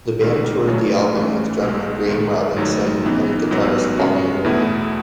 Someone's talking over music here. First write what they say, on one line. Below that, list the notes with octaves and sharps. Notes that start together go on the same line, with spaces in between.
The band toured the album with drummer Graeme Robinson and guitarist Paul Molloy.
A1 G#2 D#3
D#2 C#3 F#3 A3 C#4
G#2 E3 A3 C#4
B1 B2 G#3
G#2 D#3 G#3
G#1 G#2 F#3 A3 D#4
D#2 C#3 E3 B3 D#4
A1 G#2 F#3 B3 D#4
C#3 G#3 C#4 F#4
E2 B2 A3 E4